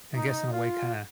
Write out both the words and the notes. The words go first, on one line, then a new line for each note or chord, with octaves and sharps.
I guess, in a way, kinda
D#4
F4